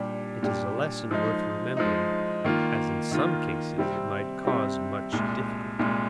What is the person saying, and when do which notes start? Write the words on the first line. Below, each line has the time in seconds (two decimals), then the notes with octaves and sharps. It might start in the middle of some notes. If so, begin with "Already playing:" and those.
It is a lesson worth remembering, as in some cases it might cause much difficulty.
Already playing: A#2 G3 D4 G4
0.43 A#2 G3 D4 G4
1.11 F3 G#3 D#4
1.77 F3 G#3 D#4
2.44 D#3 A#3 F4
3.11 D#3 A#3 F4
3.78 C3 G3 C4
4.45 C3 G3 C4
5.12 C2 A#2 G#3
5.79 C2 A#2 G#3